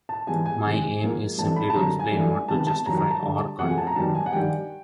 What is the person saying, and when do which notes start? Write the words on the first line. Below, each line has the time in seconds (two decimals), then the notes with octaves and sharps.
My aim is simply to explain, not to justify or condemn.
0.09 A5
0.27 G#2 E3 G3 B3 G#5
0.46 G#5
0.64 C3 D#3 G#3
1.01 G#2 F3 A#3
1.38 G2 E3 A3 C4 A5
1.56 B5
1.70 A5
1.76 F#2 D3 G3 C4 A#5
1.99 G#5
2.12 G2 E3 A3
2.48 C3 D#3 G#3 B3 A5
2.67 A5
2.86 F#2 D#3 G3 A#5
2.97 A#5
3.10 A5
3.22 G2 D3 G3
3.58 E2 C3 F3 A3 C4 F#5
3.69 G#5
3.78 A5
3.87 A#5
3.96 F#2 D#3 G3 B3 A5
4.15 G#5
4.26 F#5
4.32 G2 D#3 G3 G5